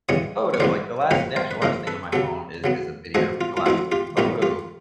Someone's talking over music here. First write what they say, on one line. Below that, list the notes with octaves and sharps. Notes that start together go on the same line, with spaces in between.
photo, like, the last the actual last thing on my phone is is a video, but the last photo
C#3 E3 G3 B3 C#5 D#5
C#5
C#3 E3 G3 B3 C5 D5
C#3 F3 A#3 D#4 B4 C#5
A#4 C5
B4
C#3 F3 A#3 D#4 A#4 C5
A4 B4
C#3 F#3 B3 G4 A4
C#3 F#3 B3
F3 A3 C4 D#4 F#4 G#4
F4
F4
F3 A3 C4 D#4 E4 F#4
F4 G4
A#2 G3 B3 D#4 F4 G4
F4 G4